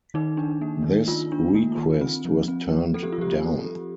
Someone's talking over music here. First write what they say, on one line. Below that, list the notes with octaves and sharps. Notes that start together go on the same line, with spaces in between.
This request was turned down.
D#3 D#4
D4
A#3
D#3
D#3 F4
D4
A#3
D#3
C4
F3
C4
F3
C4 A4
G4
F4
F3 G4